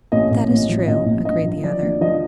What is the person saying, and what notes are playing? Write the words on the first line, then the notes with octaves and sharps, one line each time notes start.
"That is true," agreed the other.
A1 D#5
A1
A1
F3
A1 D#5
A1
G2 D#5
F3
F3 D5
D2
F3 D#5